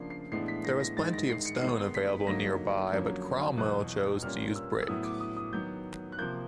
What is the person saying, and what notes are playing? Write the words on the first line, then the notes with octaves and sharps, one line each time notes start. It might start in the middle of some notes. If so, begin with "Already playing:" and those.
There was plenty of stone available nearby, but Cromwell chose to use brick.
Already playing: C#3 F3 A#3 D4 C7
C7
A2 E3 G#3 B3 D4 C7
B6
A#6
A#6
G#2 D#3 G#3 A6
A#6
C7
C#7
D#3 G#3 B3 D#4 C7
B6
D3 F#3 A#3 D#4 A#6
F2 D3 F#3 A#3 C#4
E2 B2 F#3 F#6
A#2 G3 A#3 C#4 F6
E6
E6
A2 F#3 B3 E4 D#6
D6
D#6
D#6
D#3 F#3 B3 G6
F#6
C3 F3 A#3 G6